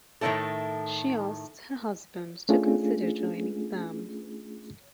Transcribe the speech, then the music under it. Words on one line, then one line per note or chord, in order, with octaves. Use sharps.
She asks her husband to consider joining them.
A2 D#3 F#3 C4 E4 A4
A3 C#4 D4 F4 G#4